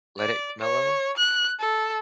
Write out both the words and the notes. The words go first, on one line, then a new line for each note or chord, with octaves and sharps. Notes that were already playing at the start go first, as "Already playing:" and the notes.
let it mellow,
D5
C#5
F#6
A4